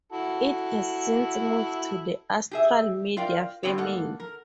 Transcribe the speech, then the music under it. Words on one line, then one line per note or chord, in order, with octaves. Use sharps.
It has since moved to the Astral Media family.
E4 F#4 A4
G4 G#4 E5
F4 A#4 D5 F5 G5
G2 D3 G3 B3 C4
G#2 A#3 A4 F#5
A#4